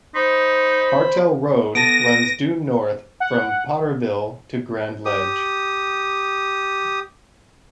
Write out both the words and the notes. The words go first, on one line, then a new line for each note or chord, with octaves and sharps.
Hartel Road runs due north from Potterville to Grand Ledge.
D#4 C5 B5
B3 A4 A#6 D7 D#7
F#5
G4 D#6